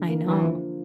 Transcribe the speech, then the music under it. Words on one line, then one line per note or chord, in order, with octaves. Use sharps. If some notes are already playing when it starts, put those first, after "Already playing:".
I know.
Already playing: D3
A#3
D3 E3
F3